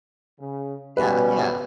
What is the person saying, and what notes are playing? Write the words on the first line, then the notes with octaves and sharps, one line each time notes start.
Yeah, yeah.
C#3
B2 G3 C#4 B4